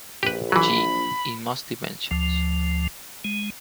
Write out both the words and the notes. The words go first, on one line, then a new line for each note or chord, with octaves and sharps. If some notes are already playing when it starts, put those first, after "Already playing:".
G in most dimensions.
A#1 G4 B4
E3 F#3 B5
D2 F3
G#3